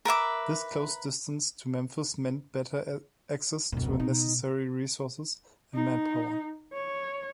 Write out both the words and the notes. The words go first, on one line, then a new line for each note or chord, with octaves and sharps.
This close distance to Memphis meant better access to necessary resources and manpower.
A#4 B4 E5 D6
F1 D2 B2
B2 D#4
D#4
C#5